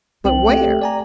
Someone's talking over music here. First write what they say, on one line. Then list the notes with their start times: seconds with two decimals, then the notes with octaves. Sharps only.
But where?
0.25 C2 C4 G5 F#7
0.49 A3 G4
0.82 D5 G#5 A#5